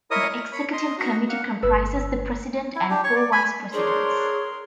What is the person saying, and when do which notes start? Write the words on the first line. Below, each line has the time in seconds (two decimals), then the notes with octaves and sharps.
The Executive Committee comprises the President and four Vice-Presidents.
0.11 E4 A#4 C#5 D#5 D#6
0.36 A#4
0.52 C#5 B5
0.73 D#5 C6
0.98 D#4 F#4 A#5
1.29 A#3 F#5
1.63 G1 B4 E6
2.76 E4
2.90 D4 G4
3.04 C#5 C#6
3.16 D5
3.32 G#5 B5
3.73 D4 G#4 A#4 C5 C#5 C6